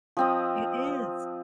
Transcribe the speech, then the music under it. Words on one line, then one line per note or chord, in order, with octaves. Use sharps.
It is.
F3 C4 D#5